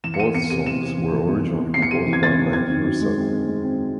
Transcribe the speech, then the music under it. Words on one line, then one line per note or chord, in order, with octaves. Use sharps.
Both songs were originally composed by Lane herself.
E3 E7
C#7
E3 D#7
E2 C#7
C3 D#7
E3 E7
C3
E3
E3
E2
E2
E2
E2 C7
C#7
C3 D#7
E3
G#6
E2 A6
E2
C4 G#6
D#3
F#2
G#3
C4
C4
G#3
C4